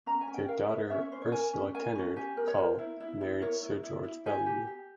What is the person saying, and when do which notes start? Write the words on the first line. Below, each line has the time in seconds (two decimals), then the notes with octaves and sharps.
Their daughter Ursula Kennard Cull married Sir George Bellew.
0.06 C#4 A#5
0.21 G#5
0.27 C#4
0.34 G5
0.48 A#4 F5
0.69 A#4 E5
0.90 C#4 E5
1.01 C#5
1.12 C#4 C5
1.22 C#5
1.32 A#4 G#5
1.53 C#4
1.74 A#4 G#5
1.95 C#4
2.16 G4 G#5
2.37 A#4
2.48 C#5
2.58 A#4 C5
2.79 E4
3.00 E4
3.21 E4
3.42 A#4 C#5
3.63 E4
3.83 E4
4.04 E4
4.26 G4 G#5
4.46 G4
4.67 G4